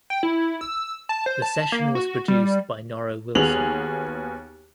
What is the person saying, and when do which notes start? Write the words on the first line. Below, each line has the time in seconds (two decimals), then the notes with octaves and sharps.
The session was produced by Norro Wilson.
0.10 G5
0.23 E4
0.61 E6
1.09 A5
1.26 C5
1.42 A5
1.72 A#3
1.95 F#4
2.28 G3
3.35 D#2 B3 F#4 G#4 F7 F#7